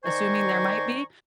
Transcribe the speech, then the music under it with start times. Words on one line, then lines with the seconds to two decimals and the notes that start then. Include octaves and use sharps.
assuming there might be,
0.03 D#3 C5 D5 G#5 A#5 C#6